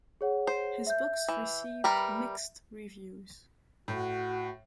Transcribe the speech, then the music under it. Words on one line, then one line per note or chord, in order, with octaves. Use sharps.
His books received mixed reviews.
G#4 C#5 F#5
C5
E5 G6
E3
G3 A#4 B4
A2 F#4